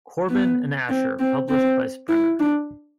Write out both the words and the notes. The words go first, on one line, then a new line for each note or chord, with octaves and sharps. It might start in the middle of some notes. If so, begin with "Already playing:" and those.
Korbin and Asher, published by Springer.
B3
C4
C4
C4
E4
D4